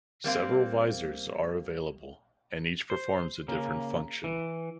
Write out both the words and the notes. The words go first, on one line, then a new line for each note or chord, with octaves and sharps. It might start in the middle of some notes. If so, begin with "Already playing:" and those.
Several visors are available, and each performs a different function.
G3 A#3 C4 F5
C5
C#3 A#3
E3